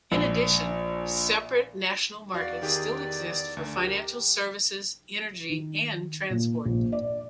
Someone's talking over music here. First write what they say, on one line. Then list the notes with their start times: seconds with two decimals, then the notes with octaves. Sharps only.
In addition separate national markets still exist for financial services, energy and transport.
0.12 A#1
2.34 E2 F#4 D5 F5
2.62 D#3 G4 G#4
3.57 D2
3.77 G4 A#4
5.49 D#3
6.30 A#2
6.66 A#1
6.92 D5